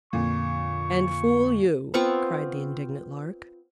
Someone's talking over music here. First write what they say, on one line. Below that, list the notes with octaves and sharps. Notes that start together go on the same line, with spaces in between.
"And fool you!" cried the indignant Lark.
F2 A#2 D3 C#6
B3 C4 F4 C#6